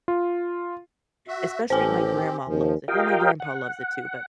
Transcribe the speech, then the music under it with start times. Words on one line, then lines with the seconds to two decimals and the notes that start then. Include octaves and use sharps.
Especially my grandma loves it well, my grandpa loves it too, but
0.08 F4
1.28 F#4 E5
1.70 A1 C4 G4 C5 G#5
2.48 D#2 F3
2.88 F4 G4 A#4 D#5 F5 G5
3.40 F#5